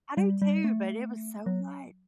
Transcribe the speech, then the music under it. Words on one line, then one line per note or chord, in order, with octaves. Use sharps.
I do too, but it was so much.
G3
G3
A3
F#3